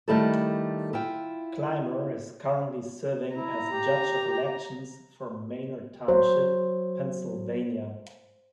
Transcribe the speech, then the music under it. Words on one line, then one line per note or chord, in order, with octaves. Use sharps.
Clymer is currently serving as Judge of Elections for Manor Township, Pennsylvania.
D#3 G3 A3 E4 G4 A4
E4 F4 G5
E4 A#5
G4
F#3 C5